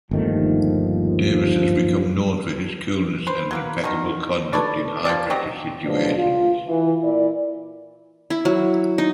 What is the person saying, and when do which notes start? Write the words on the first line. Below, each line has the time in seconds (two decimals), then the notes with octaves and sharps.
Davis has become known for his coolness and impeccable conduct in high-pressure situations.
0.11 G1 D#2 D#3 F3 A3
3.27 B4 C5
3.51 F#3 A#3 B4
3.84 B2 D#3 A#4
4.53 A4 B4 C#5 D5
5.05 F3 A#3 G4 D5
5.30 F#3 C4 G4 D#5
5.85 E2 B2 F3 F#3 D4
6.17 F4
6.67 E3
7.03 A#2 E4 D5
8.30 E4
8.45 F#3
8.98 D#4